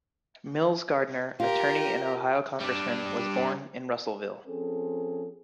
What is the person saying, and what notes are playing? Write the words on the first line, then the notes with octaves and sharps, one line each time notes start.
Mills Gardner, attorney and Ohio congressman, was born in Russellville.
F4 G4 A#4
G3 D4
F3 C4 C#4 G#4 A4